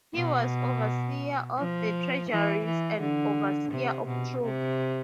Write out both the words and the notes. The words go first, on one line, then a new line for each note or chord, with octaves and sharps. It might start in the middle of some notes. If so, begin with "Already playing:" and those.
He was overseer of the treasuries and "overseer of troops".
B2
F3
E3
E3
D3
C3
B2
C3